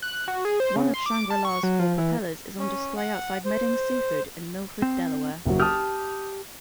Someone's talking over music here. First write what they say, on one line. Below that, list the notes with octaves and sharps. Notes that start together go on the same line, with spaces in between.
One of "Shangri-La"s four propellers is on display outside Meding's Seafood in Milford, Delaware.
F#6
F#4
G#4
C5
C#3
C6
D6
A5
C#6
F#3
F3
E3
C#4
F#5
C5
C4
F#1 F#3
G4 A5 D#6 F6